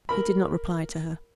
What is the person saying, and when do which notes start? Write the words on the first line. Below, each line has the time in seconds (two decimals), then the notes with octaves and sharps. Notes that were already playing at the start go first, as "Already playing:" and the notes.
He did not reply to her.
0.09 A#4 B5